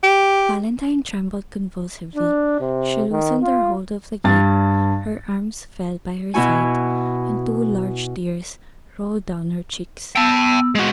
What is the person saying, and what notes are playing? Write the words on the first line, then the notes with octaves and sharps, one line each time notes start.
Valentine trembled convulsively; she loosened her hold of the gate, her arms fell by her side, and two large tears rolled down her cheeks.
G4
D4
C3
D#3
F4
G2 A6
B2 B3 E4 F#4 G#5
B3 G5 A5 E6
G#3 F#4